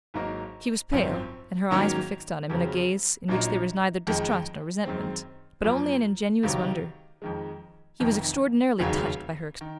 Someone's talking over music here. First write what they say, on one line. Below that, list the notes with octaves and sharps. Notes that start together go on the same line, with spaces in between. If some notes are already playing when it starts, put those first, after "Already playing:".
She was pale, and her eyes were fixed on him in a gaze in which there was neither distrust or resentment, but only an ingenuous wonder. He was extraordinarily touched by her expression.
G#1 G#2 F#3 A#3 D#4
G#1 F#2 F3 C4
G#2 D#3 F#3 A#3 C#4
F2 C#3 F#3 C4
A#1 A#2 F#3 A#3 D#4
F2 D#3 G#3 D#4
F#2 D#3 G#3 C4
F#2 F3 A#3
C#2 C3 D#3 F#3
F2 D#3 G#3
F1 F2 D#3
F1 D#2 C#3 F#3
D#3